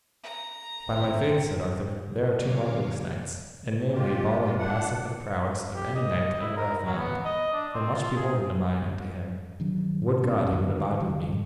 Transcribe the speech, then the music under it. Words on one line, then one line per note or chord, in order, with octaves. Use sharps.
By my faith, said Arthur, they are two marvellous knights, and namely Balin passeth of prowess of any knight that ever I found, for much beholden am I unto him; would God he would abide with me.
A#5
G#1 G2 C5 E5 G5
E2 D3 F#3 C#5 F5 D6
G#3 F4 G4
G#2 C3 G#3 F4
D4 F#5
G4
D#5
E4
A#4
F#3
B3
D#5
D4
C4
F4
G#4
D#4
G2 D#3 F#3
A2
B2 F3 B3 C#4
E2 G#2 D3 D#3
D3 E3 G3 G#3
A2 G3